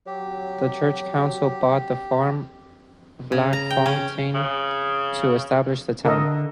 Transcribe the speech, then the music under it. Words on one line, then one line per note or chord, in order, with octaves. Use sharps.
The church counsel bought the farm Vlakfontein to establish the town.
F#3 G4
C#3
A#5
G5
C#4
C#3
D3 A4 A#4 D#5